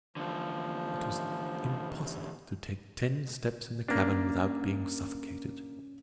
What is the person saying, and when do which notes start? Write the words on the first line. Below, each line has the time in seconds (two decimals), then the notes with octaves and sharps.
It was impossible to take ten steps in the cavern without being suffocated.
0.17 E2 D3 F3
3.88 A#3 C#4 D4